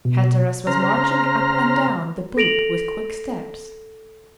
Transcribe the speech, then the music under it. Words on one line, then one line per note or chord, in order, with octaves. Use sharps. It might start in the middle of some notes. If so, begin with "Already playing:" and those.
Hatteras was marching up and down the poop with quick steps.
B2
C#3 C5 A#5 F6
A4 A#6 D7 F7 F#7